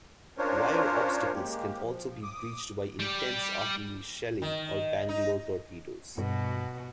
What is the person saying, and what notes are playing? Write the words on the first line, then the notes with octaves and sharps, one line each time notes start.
Wire obstacles can also be breached by intense artillery shelling or Bangalore torpedoes.
C#4 D4 F4 A#4 C5 C#5
G#3 A#3 G4
F3
D6 D#6
G3 G4
D#3
D#4
G2 B2 F#4